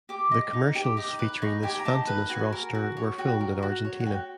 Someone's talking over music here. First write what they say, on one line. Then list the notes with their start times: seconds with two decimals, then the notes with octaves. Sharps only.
The commercials featuring this Fantanas roster were filmed in Argentina.
0.09 G4 D6
0.31 D#5
0.53 D#4
0.75 G4
0.97 D#4 D6
1.19 B4
1.42 D#4 C#6
1.63 G4 G#5
1.79 A#5
1.85 D#4 A5
2.07 B4
2.29 F#4 G#5
2.52 A#4
2.75 F#4
2.97 C#5
3.18 F#4 G5
3.41 A#4
3.62 F#4
3.84 C#5
4.00 F#5
4.06 F#4 G5